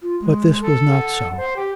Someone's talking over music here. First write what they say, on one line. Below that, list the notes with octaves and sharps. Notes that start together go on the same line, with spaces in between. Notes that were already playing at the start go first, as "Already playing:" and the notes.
But this was not so.
F4
G#3
A4
F#5
C5
G4